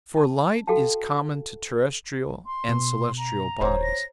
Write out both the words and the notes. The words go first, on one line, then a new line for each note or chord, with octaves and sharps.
For light is common to terrestrial and celestial bodies.
A5
F#4 A4 F5 G5 A5
C6
B2
A#5
D#1 C5 C#5 A#5
A#6